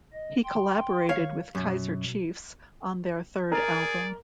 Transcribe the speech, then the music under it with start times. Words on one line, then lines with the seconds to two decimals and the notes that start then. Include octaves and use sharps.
He collaborated with Kaiser Chiefs on their third album.
0.13 D#5
0.44 G5 C6
1.09 D#3 C#5 F5
1.55 F#2 B2
3.52 G#4 A#4 D5